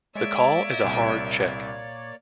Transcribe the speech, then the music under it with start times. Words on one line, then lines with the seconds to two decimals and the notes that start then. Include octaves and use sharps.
The call is a hard "check".
0.16 G#3 A#3 C#5 D5 E5 D7
0.84 C2 A#2